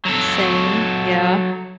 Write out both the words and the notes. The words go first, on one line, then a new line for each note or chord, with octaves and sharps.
Same, yeah.
F#3 A4